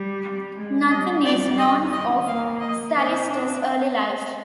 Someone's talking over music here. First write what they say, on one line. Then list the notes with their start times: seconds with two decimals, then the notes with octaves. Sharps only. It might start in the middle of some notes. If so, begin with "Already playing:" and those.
Nothing is known of Callistus' early life.
Already playing: G3
0.56 G#3
0.90 G3 D#5
1.25 D5
1.58 D#5
1.92 D#5
2.26 A#3 F5
2.60 D#5
2.94 C4 D#5
3.28 D4